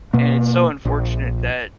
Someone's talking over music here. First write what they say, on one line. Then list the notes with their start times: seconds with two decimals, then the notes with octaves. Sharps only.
and it's so unfortunate that
0.13 B2 A#3
0.85 A#1